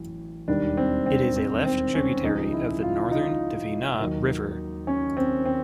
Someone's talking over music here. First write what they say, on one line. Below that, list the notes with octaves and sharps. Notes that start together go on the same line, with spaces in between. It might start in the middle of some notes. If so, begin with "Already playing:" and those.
It is a left tributary of the Northern Dvina River.
Already playing: A1 A2 F#3
E1 D#2 D#3 G3 D4
C4
C4
C4
C4
C#4
C#2 C#3 F3 G#3 D#4
E4
F4
D#4
D#2 D#3 F#3
C#4
C4
C4